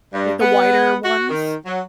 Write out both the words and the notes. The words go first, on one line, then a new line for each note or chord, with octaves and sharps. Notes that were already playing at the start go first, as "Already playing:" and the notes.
Like the wider ones
G2
B3
F#4
D#3
F#3